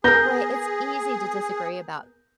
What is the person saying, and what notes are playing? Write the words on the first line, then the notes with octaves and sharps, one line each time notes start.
boy, it's easy to disagree about
B3 G#4 A#4 G6 A#6